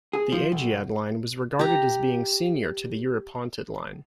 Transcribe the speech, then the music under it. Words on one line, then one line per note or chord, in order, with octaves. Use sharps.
The "Agiad" line was regarded as being senior to the "Eurypontid" line.
G#4
F3
B1
G4 A#5